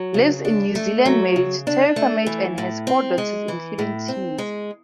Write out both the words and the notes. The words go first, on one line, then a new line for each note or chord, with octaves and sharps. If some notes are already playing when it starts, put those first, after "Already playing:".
Lives in New Zealand married to Terry Furmage, and has four daughters including twins.
Already playing: F#3
C#3
D4
A3
F#3
C#3
D4
A3
E3
A2
C4
G#3
E3
A2
C4
G#3